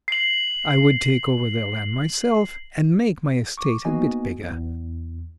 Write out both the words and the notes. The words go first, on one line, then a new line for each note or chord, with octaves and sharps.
I would take over their land myself, and make my estate a bit bigger.
C7 F#7
C#6 D6
A#3 B3 D#4 F#4 D#5 G#5
E2